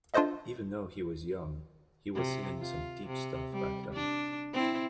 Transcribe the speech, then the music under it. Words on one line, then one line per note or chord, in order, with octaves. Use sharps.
Even though he was young, he was singing some deep stuff back then.
D4 F4 A4 C5 D#5 E5
C3
F4
C3
G3
D4
C4 E4